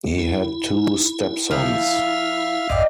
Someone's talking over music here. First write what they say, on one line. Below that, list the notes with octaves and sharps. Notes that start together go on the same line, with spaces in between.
He had two stepsons.
E4
F3 E5 F5 F6
A#1 F2 G#2 D#4 D5 G5